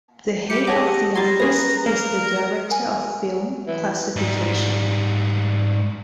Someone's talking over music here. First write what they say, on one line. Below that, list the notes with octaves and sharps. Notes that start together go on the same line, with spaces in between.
The head of the office is the Director of Film Classification.
G3 G4 C#7
G4 G#4 C#5 D#5 F#5 A5 D6
G3 G4 A#5 C6 G#6 A6
C#4 G#4 B4 A#6
A#3 A#4
G#4 A#4 G#5
E3
G#2 G3